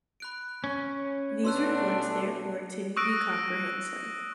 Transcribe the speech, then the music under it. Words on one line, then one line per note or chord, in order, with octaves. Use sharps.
These reports therefore tend to be comprehensive.
B5 F#6 D7
C#4
B2 A3 B3 D4 C6 E6 F#6
C#6 D#6 E6 F#6 A#6 D7